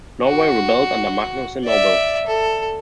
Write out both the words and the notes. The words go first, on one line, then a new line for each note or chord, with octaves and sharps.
Norway rebelled under Magnus the Noble.
F#4
D5 E5
A4